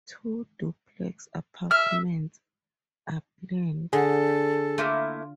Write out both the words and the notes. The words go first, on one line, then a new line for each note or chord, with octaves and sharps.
Two duplex apartments are planned.
E5 F6
D3 G#4 A4
A3 A#3 E4 F4